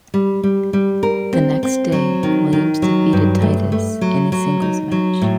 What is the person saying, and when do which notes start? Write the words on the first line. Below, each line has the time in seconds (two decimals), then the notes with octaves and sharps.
The next day, Williams defeated Titus in a singles match.
0.14 G3
0.43 G3
0.73 G3
1.03 A#4
1.33 C4
1.63 C4
1.92 F#3
2.23 D#3
2.53 D#3
2.82 F#3
3.13 G2
3.42 A3
3.72 A3
4.01 F#3
4.32 F#3
4.62 D#4
4.92 F#3
5.22 A2